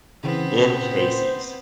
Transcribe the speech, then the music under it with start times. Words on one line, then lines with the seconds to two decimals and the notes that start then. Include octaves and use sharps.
in Casey's,
0.23 C#3 E3 B3 C4
0.57 A#2
0.97 C5